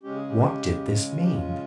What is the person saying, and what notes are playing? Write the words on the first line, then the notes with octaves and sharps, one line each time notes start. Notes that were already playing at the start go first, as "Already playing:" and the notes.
What did this mean?
C#3 G#3 C#4 G4
G#4
G4
F4
G4
F4